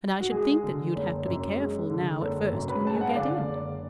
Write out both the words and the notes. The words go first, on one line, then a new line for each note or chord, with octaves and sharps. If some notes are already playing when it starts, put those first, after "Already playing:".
And I should think that you'd have to be careful now at first whom you get in.
F#4
G#3 G#4
D3
F#1
F#2
G#3
D3
F#1 A4
F#2
B4
G#3 A5
G#5
F#5
F5
D3 D5
F#1